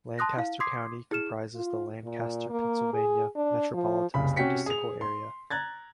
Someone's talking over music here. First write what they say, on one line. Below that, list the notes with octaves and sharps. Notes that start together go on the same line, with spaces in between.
Lancaster County comprises the Lancaster, Pennsylvania Metropolitan Statistical Area.
A5 C6 D#6 F#6 A#6
E4 F5
C6 D6 D#6 G#6 B6 C7
E4 G#4 F6 E7
F4
A#2
A#3
G#4
D4
F3
F#1 C2 C#3 B5
C3 C#4 F#4 G5 B6 C#7
G#4 F7
C6
A#5 F#6 G#6 A6